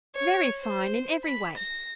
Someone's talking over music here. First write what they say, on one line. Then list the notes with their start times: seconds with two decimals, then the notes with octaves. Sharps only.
'Very fine in every way.
0.16 C#5
0.61 C5
1.23 B5
1.57 A#6